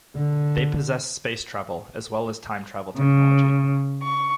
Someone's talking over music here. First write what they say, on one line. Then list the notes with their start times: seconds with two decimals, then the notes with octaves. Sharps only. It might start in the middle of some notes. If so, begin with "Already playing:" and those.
They possess space travel, as well time travel technology.
0.16 D3
2.98 C#3
4.03 C#6